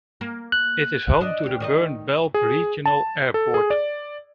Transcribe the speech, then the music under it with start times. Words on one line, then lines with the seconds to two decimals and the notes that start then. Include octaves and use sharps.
It is home to the Bern-Belp regional airport.
0.21 A#3
0.52 F#6
1.21 D4 D#5
1.43 D2 G4
1.60 D#3 D5 D#5
2.34 G#4
2.86 A5
3.34 A4
3.54 G#4
3.70 D5